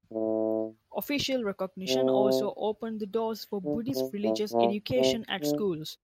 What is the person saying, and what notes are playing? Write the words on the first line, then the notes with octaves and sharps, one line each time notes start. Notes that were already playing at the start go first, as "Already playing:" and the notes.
Official recognition also opened the doors for Buddhist religious education at schools.
A2
C3
D3
C3
A2
A#2
C3
D3